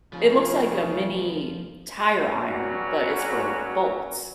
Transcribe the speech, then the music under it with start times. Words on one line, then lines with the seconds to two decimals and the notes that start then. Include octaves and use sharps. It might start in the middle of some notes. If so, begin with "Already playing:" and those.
It looks like a mini tire iron, but it's for bolts.
0.13 F1 C#3 F3
2.19 C#2 F#3 G3 C#4 F#4